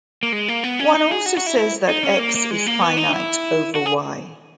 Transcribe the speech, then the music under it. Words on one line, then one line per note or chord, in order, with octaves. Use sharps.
One also says that "X" is finite over "Y".
A#3
G#3
A#3
B3
C#4
D#4
G#4
F#4
F#4
E4
E4
D#4
C#4
A#3
A#3
G#3
A#3
B3
D#4
E4
F#4
G#4